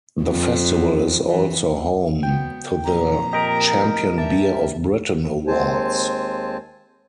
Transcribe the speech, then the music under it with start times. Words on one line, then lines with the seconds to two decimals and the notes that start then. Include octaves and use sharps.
The festival is also home to the Champion Beer of Britain awards.
0.22 F2
1.28 E3
2.23 F#3 B3 G5
2.84 F2 A#2 A#5
3.33 G4 A#4 D#5
4.18 G2 E5 A5
5.47 D#2 G#3 C4 C5 G#5 A5